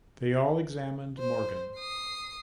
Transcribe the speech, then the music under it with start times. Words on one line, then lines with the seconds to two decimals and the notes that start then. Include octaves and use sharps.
They all examined Morgan.
1.19 C5
1.78 D#6 C7